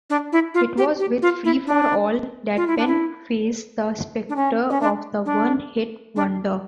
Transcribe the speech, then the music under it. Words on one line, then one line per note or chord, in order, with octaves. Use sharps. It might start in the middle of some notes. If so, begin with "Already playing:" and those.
It was with "Free-for-All" that Penn faced the specter of the one-hit wonder.
D4
E4
F4
G4
G4
F4
E4
D4
F4
E4
D4
E4
D4
C#4
C#4
D4
D4
D4